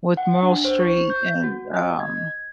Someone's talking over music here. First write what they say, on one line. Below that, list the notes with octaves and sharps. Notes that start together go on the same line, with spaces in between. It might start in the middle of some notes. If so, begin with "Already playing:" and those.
with Meryl Streep and um
F#5
D4
C5
C#6
G6
F#4
D#5
G#6